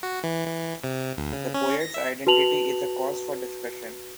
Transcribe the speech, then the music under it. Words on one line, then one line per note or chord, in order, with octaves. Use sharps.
The poet’s identity is a cause for discussion.
F#4
E3
E3
C3
D2
C#3
C#4
A#6
E5
F#4 B4 A5 F7 F#7